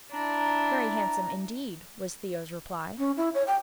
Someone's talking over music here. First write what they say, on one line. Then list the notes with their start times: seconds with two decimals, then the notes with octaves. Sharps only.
"Very handsome, indeed," was Theo's reply.
0.11 D4 E4 A#5
2.98 C#4
3.17 E4
3.35 C#5
3.47 G5